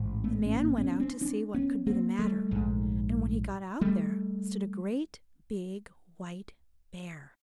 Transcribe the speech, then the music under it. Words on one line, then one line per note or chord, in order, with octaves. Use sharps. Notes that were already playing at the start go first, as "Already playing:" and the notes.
The man went out to see what could be the matter, and when he got out there stood a great big white bear.
Already playing: A1 G#2
A3 B3
C#4
A#3 C4
B3 C#4
C#4
C4 D4
C4 D4
B3 C#4
A#3 C4
G3 A3
A#1 G#2
G3 A3